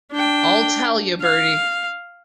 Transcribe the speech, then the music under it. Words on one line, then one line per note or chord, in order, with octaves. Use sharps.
I'll tell you, Bertie.
D4 G5
F5